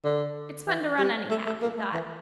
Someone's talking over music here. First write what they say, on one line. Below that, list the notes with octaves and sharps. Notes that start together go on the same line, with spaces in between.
"It's fun to run, anyhow," he thought.
D3
E3
G3
A3
A3
A#3
A3
E3